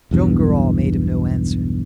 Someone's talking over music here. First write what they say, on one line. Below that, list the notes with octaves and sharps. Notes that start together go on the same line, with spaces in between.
Joam Garral made him no answer.
B1 E2 G2